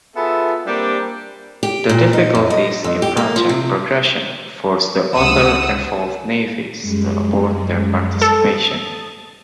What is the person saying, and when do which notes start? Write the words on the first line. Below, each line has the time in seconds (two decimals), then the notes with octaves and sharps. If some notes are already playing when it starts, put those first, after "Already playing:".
The difficulties in project progression forced the other involved navies to abort their participation.
0.15 B3 F4 G#4 A4 E5
0.66 G3 A#3 C4 D4 G4
1.63 G4
1.89 A#2
2.13 D#4
2.35 F#2
2.50 D#5
2.84 F2
3.02 G4
3.17 A#3
3.36 F3
3.49 C3
5.14 C#2 F#5 D#6 E6
6.82 F#2 G3 G#3
8.22 A4 A5 D#6